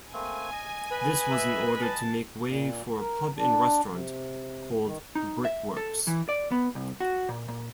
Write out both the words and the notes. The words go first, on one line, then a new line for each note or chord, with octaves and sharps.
This was in order to make way for a pub and restaurant called "Brickworks".
A3 A#3 C4 G#5
D#5
B4 D#5 B5
E5
A5
A#2
A#4
D4
C3
D#3
D#4
E5
A4
E3
D5
B3
C2
F#4
A#2
A#2